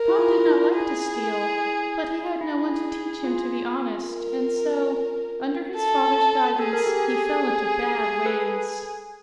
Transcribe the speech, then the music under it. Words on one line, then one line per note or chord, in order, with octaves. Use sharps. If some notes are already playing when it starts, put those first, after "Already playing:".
Tom did not like to steal, but he had no one to teach him to be honest, and so, under his father's guidance, he fell into bad ways.
Already playing: A#4
E4
F4
F4
E4
G#4
E4 G#4
F4
A#4
A4
G#4 A4
A#4
G4 A4
A4 B4